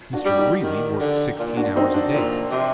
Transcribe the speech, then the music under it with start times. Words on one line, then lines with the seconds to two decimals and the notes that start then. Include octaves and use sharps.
Mr. Greeley worked sixteen hours a day.
0.13 D4 F#4
0.25 G3
0.38 D#4 G4
0.63 D#3
1.01 D3
1.39 A#2
1.57 D4 F#4
1.76 C4 D#4
1.94 D4
2.14 A#2
2.51 C3